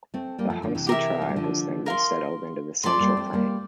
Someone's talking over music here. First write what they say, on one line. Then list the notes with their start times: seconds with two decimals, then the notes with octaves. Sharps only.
The Hunxie tribe was then resettled into the Central Plain.
0.14 A3 C4
0.38 G3 A#3
0.50 F3 A3
0.62 D3 F3
0.75 C3 E3
0.87 G4 A#4 E5
1.22 A3
1.29 G3
1.36 D3 F3
1.86 A#4 F5 C6
2.84 F3 A3 D5 A5 C6
3.00 G3 A#3
3.17 A3 C4
3.33 G3 A#3